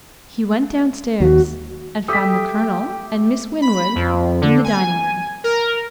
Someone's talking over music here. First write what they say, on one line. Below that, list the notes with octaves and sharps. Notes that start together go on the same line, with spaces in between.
He went downstairs, and found the Colonel and Miss Winwood in the dining-room.
D#2 F#4
G4 A4 E5 G5 D#6 B6
B5
F2
D3
G#5
A#4